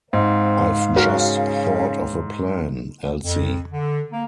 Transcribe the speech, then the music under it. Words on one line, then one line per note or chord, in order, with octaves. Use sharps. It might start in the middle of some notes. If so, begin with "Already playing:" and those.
I’ve just thought of a plan, Elsie.
G#2 C4 F5
C#3 F#4 A#4
F2
D3
A#3